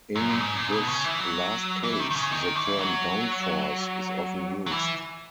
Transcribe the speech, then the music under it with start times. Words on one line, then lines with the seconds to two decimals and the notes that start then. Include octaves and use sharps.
In this last case, the term downforce is often used.
0.16 F#2
0.29 A#2
0.41 G#2
0.56 A#2
0.72 B2
0.88 C#3
1.04 E3
1.20 F#3
1.84 E3
1.99 D#3
2.11 D#3
2.16 C#3
2.31 D#3
2.55 E3
2.79 F#3
4.66 F#3
4.71 E3